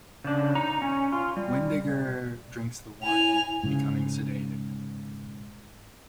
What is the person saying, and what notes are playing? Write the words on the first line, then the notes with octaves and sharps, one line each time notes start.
Windegger drinks the wine, becoming sedated.
C#3 D4
D#4 A#5
C#4
F4
G3
E4 G#5 F7
G#2 C#3